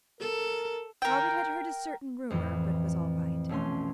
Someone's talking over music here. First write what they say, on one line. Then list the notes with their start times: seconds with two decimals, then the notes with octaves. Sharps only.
Margaret had heard a certain rumour, but was all right.
0.21 A4 A#4
1.02 A#4 G5
2.30 F2 A2 E3
3.49 B1 A3 C#4 C6